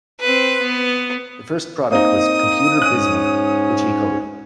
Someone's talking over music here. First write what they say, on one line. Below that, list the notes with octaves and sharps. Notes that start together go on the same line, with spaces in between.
The first product was "Computer Bismarck", which he co-wrote.
C4 B4
B3
A#3 C4 D#4 D#6
G#2 C#4 C#5 F#6 D#7